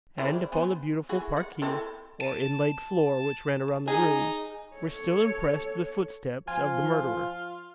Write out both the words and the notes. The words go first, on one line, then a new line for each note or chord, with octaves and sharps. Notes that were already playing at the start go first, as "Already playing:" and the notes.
And upon the beautiful parquet, or inlaid floor which ran round the room, were still impressed the footsteps of the murderer.
E4 C5 D5
B3 C5 G#5
E4 F#4 G#4
F#5
C4 E4 A4
A5
D#4 G#4
A4 C#5
F3 F4 G#5